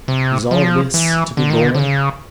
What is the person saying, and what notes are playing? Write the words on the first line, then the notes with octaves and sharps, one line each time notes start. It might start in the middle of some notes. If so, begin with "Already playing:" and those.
Is all this to be borne?
C3
F3
E3
D3
D#3
D3
D3
C#3